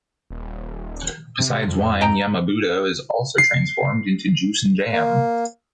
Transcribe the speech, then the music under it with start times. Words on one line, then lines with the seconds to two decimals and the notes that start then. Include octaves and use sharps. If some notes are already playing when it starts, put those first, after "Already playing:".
Besides wine, yama-budō is also transformed into juice and jam.
0.30 D#1
1.39 C3
1.68 F2
2.01 D#5 G5 A#5
3.38 C7
4.92 A#3